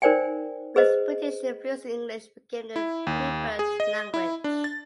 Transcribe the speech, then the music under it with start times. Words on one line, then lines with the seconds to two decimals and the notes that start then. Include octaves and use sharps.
With British influence, English became the preferred language.
0.02 D#4 A#4 C5 D5 G5 G#5
0.76 G#4 B4 C5 D#5
2.76 E4
3.07 D#2
3.59 G#4
3.80 D#5
4.14 E4
4.44 D4
4.64 A6